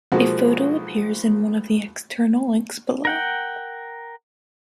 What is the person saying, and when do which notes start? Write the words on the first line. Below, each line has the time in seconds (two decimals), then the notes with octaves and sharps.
A photo appears in one of the external links below.
0.12 B1 F3 G#3 A#3 C4 F#4
3.05 A#4 F#5 G5